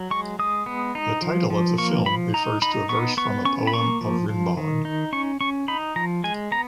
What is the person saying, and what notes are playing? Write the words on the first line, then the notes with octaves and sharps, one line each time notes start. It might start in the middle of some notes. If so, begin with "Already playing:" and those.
The title of the film refers to a verse from a poem of Rimbaud.
Already playing: F#3
G#3 C#6
G#3 D#6
B3
D#4
F3
F3
A#3 C#6
F3 B5
D#4 A#5
D#4 B5
B3 C#6
B3 C#6
C#4 C#6
B5
A#3 C#6
F3
F3
D#3
D#4
C#4 C#6
C#4 C#6
D#4 B5
F3 A#5
G#3 G#5
B3 A#5